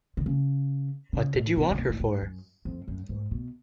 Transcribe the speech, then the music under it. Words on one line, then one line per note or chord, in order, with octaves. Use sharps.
What did you want her for?
D3
C#3
C#3
A2
B2
C#3
B2
A2
G#2
F#2
F2
F#2
G#2
B2